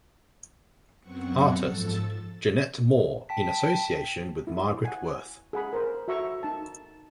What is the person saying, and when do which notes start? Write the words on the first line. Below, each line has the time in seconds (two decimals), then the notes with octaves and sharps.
Artist: Janette Moore in association with Margaret Worth.
1.01 F#2 F#3 B3 C4 F#5 C#6
1.63 G#2 F3 A4 E6 A6
3.29 G5 A5 B6
4.47 E4
4.85 F#5 G#5
5.53 G#4 F#5 B5
5.73 A#4 C5
6.08 F#4 E5 A#5 C#6 E6
6.43 D#4 A5